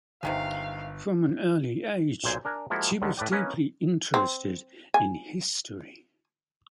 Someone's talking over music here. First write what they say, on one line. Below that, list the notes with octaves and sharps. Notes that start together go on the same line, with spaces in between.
From an early age, she was deeply interested in history.
G1 C3 D#3 G#3 F5
B1 A#2 C5 G#5
D4 A#4 G#5
F3 G#3 A#3 E4 F#4 A4
D#2 D3 D#3
A2 B4 D5 G5
A#3 C#4 B4 C#5 D#5 G#5
C4
G#5